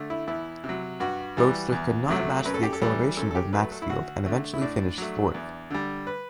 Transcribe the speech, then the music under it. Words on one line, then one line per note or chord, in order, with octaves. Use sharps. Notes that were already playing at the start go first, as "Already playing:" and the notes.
Roadster could not match the acceleration of Maxfield and eventually finished fourth.
Already playing: D3 A3
E4
E2 E4
C3
F#3
G2 F#4
E3 G3
E2
C3 F#3 A3
F#2 B4
A4
G4
A4
E3 G3
F#2 A4
A4
G4
F#3 A3 B4
A4
E4
D2 F#4
D3 A3
E4
A2 D4
F#3 A3
E2
D3 G3
B4